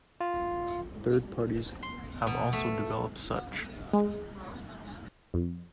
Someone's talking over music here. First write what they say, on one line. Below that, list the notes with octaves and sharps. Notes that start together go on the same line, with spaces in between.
Third parties have also developed such.
F4
C6
B2
A3
G#3
F2